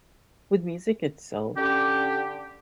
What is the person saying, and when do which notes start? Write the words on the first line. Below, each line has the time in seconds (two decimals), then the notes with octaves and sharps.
with music itself,
1.56 D3 C#4 G4